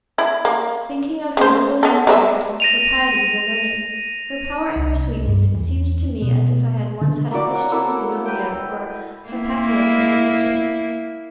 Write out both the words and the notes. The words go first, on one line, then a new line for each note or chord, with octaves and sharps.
Thinking of her nobleness of character, her piety, her learning, her power, and her sweetness, it seems to me as if I had once had a Christian Zenobia or Hypatia for my teacher.
E4
A#3
C#3 C5
B3 A4
G3 A#4 E5
A#6 D#7 F7
C2
G2
E2
B2
D3
A#3 E4 F#4 D5
C#5 F#5 A#5
A#3 E4 A4
B4 G5
A#3 E4